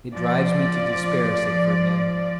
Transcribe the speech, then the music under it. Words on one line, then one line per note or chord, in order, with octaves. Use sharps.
"It drives me to despair," said Fernand.
F3 D5